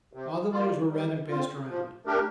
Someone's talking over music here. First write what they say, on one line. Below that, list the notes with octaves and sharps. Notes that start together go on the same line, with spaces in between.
All the letters were read and passed around.
C3
G3 A#3 F4
G3
C4 F4
F3
A3 D4 G4 A#4